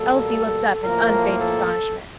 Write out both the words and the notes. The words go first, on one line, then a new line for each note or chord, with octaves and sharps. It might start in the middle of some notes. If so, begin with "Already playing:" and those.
Elsie looked up in unfeigned astonishment.
Already playing: B2 G3 A#3 A4
A2 F3 A#3 A#4
A4